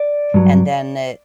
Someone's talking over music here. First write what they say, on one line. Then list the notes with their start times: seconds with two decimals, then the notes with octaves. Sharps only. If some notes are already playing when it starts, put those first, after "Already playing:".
and then it
Already playing: D5
0.34 G2 F#3